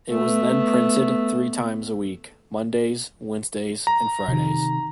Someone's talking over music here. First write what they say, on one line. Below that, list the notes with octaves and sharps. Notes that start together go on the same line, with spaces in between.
It was then printed three times a week: Mondays; Wednesdays and Fridays.
A3 B3
A#5
C3 D#3